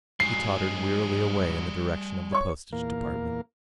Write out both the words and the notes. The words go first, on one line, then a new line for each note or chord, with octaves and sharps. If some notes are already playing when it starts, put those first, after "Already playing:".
He tottered wearily away in the direction of the Postage Department.
G#2 F#3 G3 G#4 C7
C#5 C#6
E2 A#2 A#3 A#4 F5